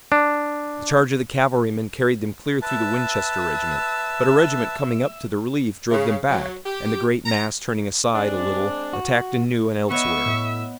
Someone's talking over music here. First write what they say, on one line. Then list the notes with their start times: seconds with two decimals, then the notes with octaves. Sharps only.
The charge of the cavalrymen carried them clear through the Winchester regiment, but a regiment coming up to the relief drove them back, and the great mass turning aside a little attacked anew and elsewhere.
0.12 D4
2.62 B4 E5 A5 E6
5.91 C#3
6.29 F#3
6.66 G4
7.25 A#5
8.14 G#3 C4 D4
8.93 F#4
9.90 B3 C#5 D#5 E5 C#6
10.26 A2